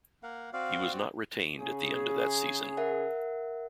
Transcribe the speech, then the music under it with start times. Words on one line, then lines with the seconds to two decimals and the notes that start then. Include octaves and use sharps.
He was not retained at the end of that season.
0.23 A#3 A#4 F5 F#5
0.53 C4 F#4 D5 F5
1.59 C#3 G#4
2.77 A#4 E5 F#5